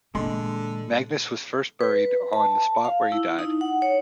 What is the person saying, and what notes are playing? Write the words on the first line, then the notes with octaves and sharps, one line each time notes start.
Magnus was first buried on the spot where he died.
A#2 D3 E3 G#3 C6
B4
A5
F5
E4
D#4
F#5
C#5